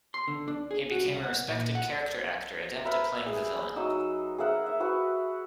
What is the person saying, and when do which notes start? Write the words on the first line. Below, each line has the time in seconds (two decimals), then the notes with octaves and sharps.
He became a respected character actor, adept at playing the villain.
0.14 C6
0.28 D3
0.48 D4
0.71 G#4
0.91 F#4
1.05 C2
1.24 F#5
1.48 A#2
1.75 F#5
2.85 A#4 B4 E5 B5
3.26 G#4
3.76 F#3 D#4 D#5 E6
4.38 G#4 A#4 E5 F#5
4.66 E5
4.80 F#4 B4 G#5